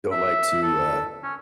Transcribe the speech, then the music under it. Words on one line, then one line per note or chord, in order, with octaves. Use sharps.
don't like to, uh
E5
A4
C#4